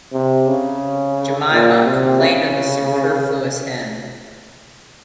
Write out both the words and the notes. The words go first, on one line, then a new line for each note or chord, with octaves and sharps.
Jemima complained of the superfluous hen.
C3
C#3
A#2
C3
C#3